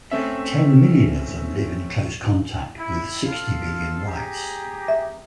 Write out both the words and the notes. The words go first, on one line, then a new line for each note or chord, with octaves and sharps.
Ten million of them live in close contact with sixty million whites.
A3 C4 C#4 E5
E4
F4 A4 F5
G4 G#4 A#5
E5